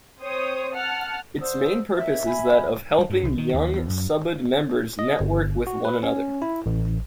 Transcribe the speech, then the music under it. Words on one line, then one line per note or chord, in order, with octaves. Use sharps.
Its main purpose is that of helping young Subud members network with one another.
C4 C5 C#5 D#6
F#5 A5 F6
D3 C5 D#6 E6
D#2 E5
G#5 B5
G3
G2
C2
D#3
D#2
E2
F#2
D#5
G1
F#4
B4
C#4
E4
A1